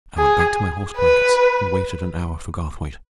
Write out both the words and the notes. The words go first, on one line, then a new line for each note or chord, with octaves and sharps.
I went back to my horse blankets and waited an hour for Garthwaite.
G#4
B4